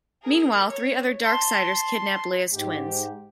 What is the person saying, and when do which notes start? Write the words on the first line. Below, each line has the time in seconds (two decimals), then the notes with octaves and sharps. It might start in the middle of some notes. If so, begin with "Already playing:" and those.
Meanwhile, three other Darksiders kidnap Leia's twins.
0.22 G#4 A#4
0.69 C#5
1.21 A5 C6
2.53 G#2 G4